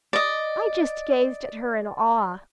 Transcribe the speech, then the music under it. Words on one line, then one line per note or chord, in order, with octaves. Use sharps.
I just gazed at her in awe.
D5 D#5